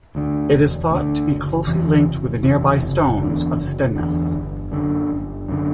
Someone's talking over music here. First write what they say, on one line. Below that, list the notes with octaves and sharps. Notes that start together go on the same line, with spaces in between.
It is thought to be closely linked with the nearby Stones of Stenness.
D2 D3
E1
D2 D3
F#1
E2 C3 E3
F#1
E2 C3 E3
F#1
E2 D3
F#1
E2 D3
G1
F#2 D3
G1
F#2 D3